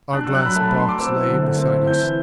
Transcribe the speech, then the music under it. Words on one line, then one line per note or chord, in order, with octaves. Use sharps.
Our glass box lay beside us.
D4 F#6
F#3 E6
F#6
F#3 B5
A3 A5
D4 B5
C6
F#3 D6
C4 E6
E4
D3
A3
C4
E4
E4 G6
E3